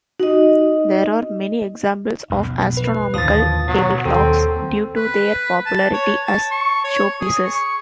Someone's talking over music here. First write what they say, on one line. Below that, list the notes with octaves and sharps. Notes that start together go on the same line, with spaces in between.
There are many examples of astronomical table clocks, due to their popularity as showpieces.
D#4 F#4 D#5
B1 F2
B4
D#2 A2 D3 F3 D#6 A6
B2 F#3
D#2 C4 A4
B4
A5
C#5
A5
C#6
C#5
G#4
C#6